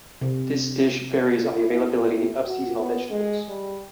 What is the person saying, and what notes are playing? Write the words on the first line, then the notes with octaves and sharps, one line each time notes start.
This dish varies on the availability of seasonal vegetables.
C3
E4
A2
F#4
B3
G#3
G3